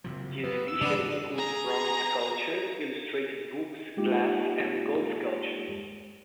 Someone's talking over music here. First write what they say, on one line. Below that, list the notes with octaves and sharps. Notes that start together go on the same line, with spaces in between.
The exhibition includes bronze sculptures, illustrated books, glass and gold sculptures.
F#1 C3 F3
F2 B3
E6
C3 E3 F3 B3 D4
G#4 A#5
G#3 A#3 D#4 F4 G4